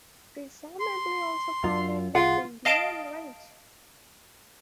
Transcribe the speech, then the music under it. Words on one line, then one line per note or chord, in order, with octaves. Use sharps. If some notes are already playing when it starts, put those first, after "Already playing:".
Presumably also found in the Vindhyan rage.
C6
F#2 F4
C2 F4 G#4 F#5
D#5 F5 A5 D7